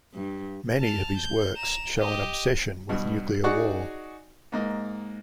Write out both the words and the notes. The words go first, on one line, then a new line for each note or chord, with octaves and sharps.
Many of his works show an obsession with nuclear war.
G2
A5 F6
G6
A#5 E7
G4 D#5
G2 B2
D#4 F#4 G#4 D5 F#5 C#6
G#2 A#3 D#5